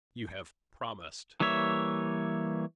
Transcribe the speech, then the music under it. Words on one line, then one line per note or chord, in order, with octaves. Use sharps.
"You have promised!"
E3 G3 A#3 C#5 E5